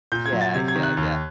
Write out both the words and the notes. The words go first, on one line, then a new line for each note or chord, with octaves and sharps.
Yeah, yeah, yeah.
A#2 G6
G#6
F#3
A6
C3 G#6
G#6
D#3
F#6
D#2